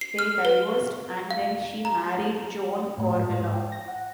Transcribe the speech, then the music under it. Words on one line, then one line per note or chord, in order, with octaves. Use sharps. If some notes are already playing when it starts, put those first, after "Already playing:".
They divorced and then she married Joan Corbella.
C7
F6
B4
F5
A#5
A2
G#2
G#2
G5
A#6
F#5